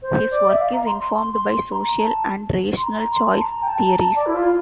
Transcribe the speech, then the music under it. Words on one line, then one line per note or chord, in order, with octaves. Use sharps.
His work is informed by social and rational choice theories.
C5
D5
E5
F5
A#5
C6
C6
C6
C6
C6
A#5
A5
C6
A#5
C6
A5
A#5
G5
A5
A#5
A5
D5
E4
F4